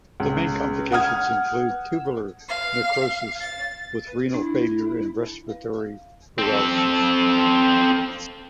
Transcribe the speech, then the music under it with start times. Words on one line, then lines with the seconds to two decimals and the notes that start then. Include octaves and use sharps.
The main complications include tubular necrosis with renal failure and respiratory paralysis.
0.20 C#2
0.92 F#5 D#6 F6 G#6
2.49 F5
3.41 A6
4.34 D4 E4
6.38 C4 A4